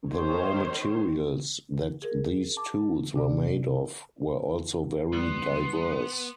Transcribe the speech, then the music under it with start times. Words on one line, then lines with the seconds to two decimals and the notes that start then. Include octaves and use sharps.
The raw materials that these tools were made of were also very diverse.
0.10 D#3 C5 C#5
2.02 G#4 A#4
2.57 A5 D6
3.16 C3 D4 D5
5.13 G3 B3 C6